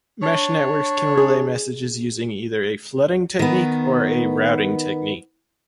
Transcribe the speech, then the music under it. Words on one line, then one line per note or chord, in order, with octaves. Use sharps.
Mesh networks can relay messages using either a "flooding" technique or a "routing" technique.
D4 C#5
G#4
D#3 B3